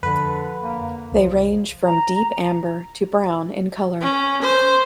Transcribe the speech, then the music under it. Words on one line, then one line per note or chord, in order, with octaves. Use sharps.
They range from deep amber to brown in colour.
F2 D3 B4
A#3
C2 F3
A#5
C#4
C5